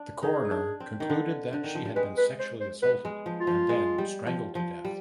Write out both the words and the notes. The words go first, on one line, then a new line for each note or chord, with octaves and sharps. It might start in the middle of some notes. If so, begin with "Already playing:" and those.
The coroner concluded that she had been sexually assaulted and then strangled to death.
Already playing: D4
D#4 G#4
D4
C4
D#3
D3
D3
D#3
F3
G3
G#3 B4
B4
C5
C5
B3 B4
G#3
F3
F4
F3
G#3
G3
F3
F3
G3